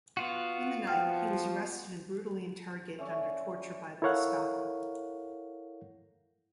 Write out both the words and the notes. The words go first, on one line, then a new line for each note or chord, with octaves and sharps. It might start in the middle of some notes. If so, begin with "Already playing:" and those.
In the night he was arrested and brutally interrogated under torture by the Gestapo.
B3 F4 F#4
F3 F#5 G5 F6
A3 C#4 D5
E4 A4 A#4 C#5 F5 F#5